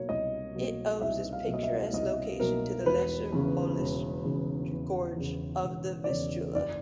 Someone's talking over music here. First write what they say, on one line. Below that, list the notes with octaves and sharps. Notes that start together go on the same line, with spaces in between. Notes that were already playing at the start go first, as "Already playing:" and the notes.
It owes its picturesque location to the Lesser Polish Gorge of the Vistula.
Already playing: B2 F#3 A#3 C#5
C2 D#5
B2 F#3 A#3
C2 E5
F5
B2 F#3 A#3
D#5
E5
C2 D#5
B2 F#3 A#3 A#4
E1 B4
E2 C#3
E1
E2 C#3
E1
E2 C#3
E1
D5
E2 C#3 C#5
F#1 D5